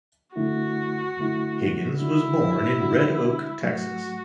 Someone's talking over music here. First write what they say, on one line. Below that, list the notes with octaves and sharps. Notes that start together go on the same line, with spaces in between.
Higgins was born in Red Oak, Texas.
F#2 D3 A3 E4 F#4
F#2 D3 A3 E4
D3 G#3 D4 E4 F#4
D3 G#3 D4 F#4
G#2 F#3 A3 F#4